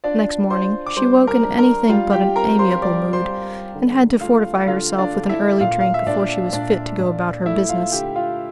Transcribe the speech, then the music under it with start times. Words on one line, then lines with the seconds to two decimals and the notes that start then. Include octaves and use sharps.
Next morning she woke in anything but an amiable mood, and had to fortify herself with an early drink before she was fit to go about her business.
0.04 D4 F4 D5
0.50 F4 C5 C6
0.87 D6
0.97 G3 C5 C6
1.27 A#4 A#5
1.43 D4
1.58 A#4 A#5
1.89 G3 F4 F5
2.13 G4 G5
2.36 C4 A#4 A#5
2.59 C5 C6
2.71 C6
2.82 G3 D5 D6
3.13 C5 C6
3.29 G3
3.75 D3
4.21 A3 F4 F5
4.67 D3 F4 F5
4.98 D4 D5
5.14 D3
5.29 E4 E5
5.60 A#2 F4 F5
5.81 F5
5.94 E5
6.06 A#2 D4 D5
6.53 A#2 D4 D5
7.00 A#2
7.46 A3 E4 E5
7.69 F4 F5
7.92 D3 G4 G5
8.16 F4 F5